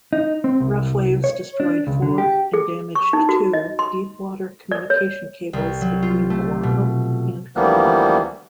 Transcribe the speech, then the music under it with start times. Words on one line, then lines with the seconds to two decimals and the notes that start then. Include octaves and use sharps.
Rough waves destroyed four and damaged two deep-water communication cables between Oahu and Kauai.
0.13 D#4
0.44 C4
0.60 C2
1.24 C#5
1.60 D4
1.87 C#2
2.02 D3
2.18 G4
2.53 G#4
2.95 C#6
3.13 D#4
3.29 F#4
3.53 D#5
3.79 C6
4.71 D5
4.90 C#5
5.53 C2
5.81 F#3
6.02 F4
6.30 A3
6.63 B2
7.56 D2 E3 F3 G3 A#3 B3